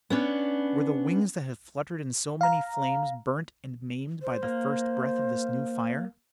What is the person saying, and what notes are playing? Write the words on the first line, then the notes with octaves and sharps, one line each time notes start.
Were the wings that had fluttered in so many flames burnt and maimed by the first breath of this new fire?
B3 C#4 D4
F5 A#5
C5
A#3